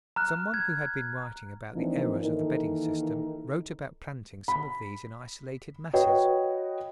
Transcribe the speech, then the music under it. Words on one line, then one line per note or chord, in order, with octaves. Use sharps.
Some one who had been writing about the errors of the bedding system wrote about planting some of these in isolated masses.
A#5 F6 F#6
G#6
E3 F3 A#3 C4 D4 D#4
D#3 E3 A#3 D#4 A4 A#4
B5
F#4 B4 C#5 D#5 G5